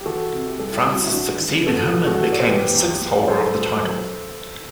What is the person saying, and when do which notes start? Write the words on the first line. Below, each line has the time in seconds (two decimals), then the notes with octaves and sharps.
Frances succeeded him and became the sixth holder of the title.
0.01 G4
0.06 E3 F#4 A4
0.33 C3
0.46 G4
0.59 C2 A4
0.72 E4 G4
0.86 C2 G4
0.95 F#4
1.04 E4
1.12 E3 D4 F#4
1.40 E3
1.62 B4
1.67 E3 F#4 A4
1.94 E3
2.07 F#4 A4
2.20 E3
2.32 D5
2.40 C5
2.47 E3 G4 B4
2.74 E2
3.01 E2
3.22 D5
3.28 F#1 A4 C5
3.54 F#2
3.81 F#1